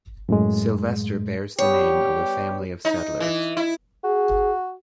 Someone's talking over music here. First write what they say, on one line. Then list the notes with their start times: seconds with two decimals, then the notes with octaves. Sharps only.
Sylvester bears the name of a family of settlers.
0.29 F#2 A2 G#3
1.59 G3 B3 G4 C#5
2.85 D#4
3.20 E3
3.57 E4
4.04 F#4 G#4